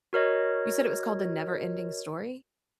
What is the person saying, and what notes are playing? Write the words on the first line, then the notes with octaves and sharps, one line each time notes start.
You said it was called The NeverEnding Story?
F#4 A#4 C#5 D#5